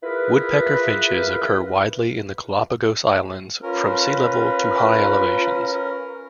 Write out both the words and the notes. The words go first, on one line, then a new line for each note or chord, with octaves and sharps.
Woodpecker finches occur widely in the Galapagos Islands, from sea level to high elevations.
E4 F4 G#4 A#4 B4
C#4 F4 A#4 B4